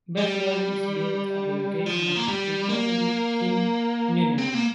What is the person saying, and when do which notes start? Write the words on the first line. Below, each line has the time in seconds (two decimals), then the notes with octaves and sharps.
Bethlehem is built at the location of a Benedictine nunnery.
0.18 G3
1.86 F3
2.16 A#3
2.28 G3
2.69 A#3
4.38 C4
4.54 A#3